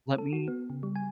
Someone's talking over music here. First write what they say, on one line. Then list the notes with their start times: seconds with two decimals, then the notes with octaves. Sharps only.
Let me"
0.18 A4
0.33 F#4
0.48 B3
0.70 C#3
0.83 G3
0.96 G#5